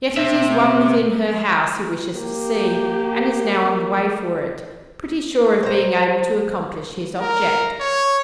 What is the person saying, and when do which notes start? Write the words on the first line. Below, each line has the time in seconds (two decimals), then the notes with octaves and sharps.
Yet it is one within her house he wishes to see, and is now on the way for it, pretty sure of being able to accomplish his object.
0.17 C4 E5
2.14 A#3 G4
5.63 C5 A#5
7.21 A#4
7.80 C#5